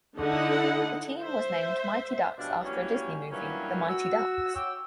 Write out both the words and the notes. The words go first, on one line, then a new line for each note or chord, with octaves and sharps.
The team was named Mighty Ducks after a Disney movie, The Mighty Ducks.
D3 D#4 E4 A4 D#5 F#5
C5 E5
B2 F3 G3 C#4 D4
E3 F#3 G3 A#3 C#4
G2 A#2 E3 F#3 G3 C#4
F#4 E6
F#4 C#5 G5 D6 E6